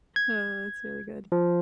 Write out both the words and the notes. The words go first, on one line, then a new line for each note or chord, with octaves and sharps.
Oh, that's really good.
G#6
F3